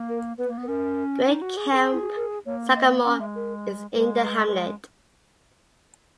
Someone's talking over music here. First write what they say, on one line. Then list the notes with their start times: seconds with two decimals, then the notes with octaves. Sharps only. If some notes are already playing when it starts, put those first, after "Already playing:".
Great Camp Sagamore is in the hamlet.
Already playing: A#3
0.09 A#4
0.38 B3 B4
0.48 A#3
0.58 B3
0.63 B4
0.67 C#4 A#4
1.27 D#4
1.42 F#4
1.57 G#4
1.72 A#4
1.75 G#4
1.93 E4
2.01 F#4
2.16 A#4
2.46 A#3 C#5
2.76 D#5
3.04 C#4 F#5
3.20 G#3 E5
3.35 A#4
3.94 G#3 B4
4.23 B4
4.48 B4
4.53 C#5